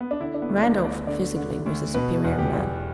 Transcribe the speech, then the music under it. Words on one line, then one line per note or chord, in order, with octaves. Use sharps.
Randolph, physically, was a superior man.
B3
D4
D3 E4
D4
B3
D2
E4
D4
D2 B4
D5
D3 D5
D3
D2
B2 B4
E2
G4
E2